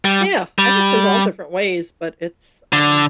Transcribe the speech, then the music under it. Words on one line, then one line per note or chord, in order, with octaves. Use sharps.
yeah, I guess there's all different ways, but it's, um,
G3
G3
D3